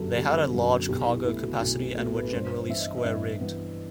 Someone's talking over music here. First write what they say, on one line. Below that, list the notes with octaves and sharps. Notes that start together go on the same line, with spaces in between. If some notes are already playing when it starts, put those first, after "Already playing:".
They had a large cargo capacity, and were generally square rigged.
Already playing: G1 F#2 F#3 B3 F#4 G4 A4
G1 G4
F#2 F#3 B3 F#4
B1 G4
E4
B2 A3 E4
F#4
B1 F#4
B2 A3 F#4
B4
B4
G2 C5
C5
E3 B3 E5
D#5
D#5
G2 E5
E3 B3